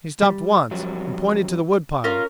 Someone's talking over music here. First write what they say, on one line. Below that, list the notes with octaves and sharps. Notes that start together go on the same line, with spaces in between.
He stopped once, and pointed to the wood pile.
G3
F2 F#3 G3
C#4 F4 A#4